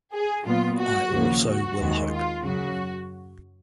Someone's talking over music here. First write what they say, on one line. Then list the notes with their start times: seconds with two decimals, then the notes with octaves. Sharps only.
I also will hope.
0.13 G#4
0.45 A#2 F#3 B3 F4
0.79 F#4
1.12 D#2 C#3 F3 A#3
1.45 F#4
1.79 D#2 D#3 G#3
2.12 F4
2.45 F#2 C#3 F#3 F#4